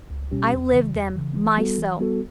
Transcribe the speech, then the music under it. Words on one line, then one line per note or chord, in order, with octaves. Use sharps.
I lived them myself.
C#2
B2 G3 C#4 G4
E2
C#3 E3
E2
C#3 E3
E3
G3 B3 F#4 A4
E3
G3 B3 F#4 A4